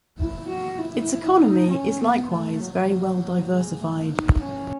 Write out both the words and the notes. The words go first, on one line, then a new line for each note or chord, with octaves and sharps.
Its economy is, likewise, very well-diversified.
E4
F#4
E4
D#4
C#4
B3
A3
F#3
G#3
A3
D#4
C#4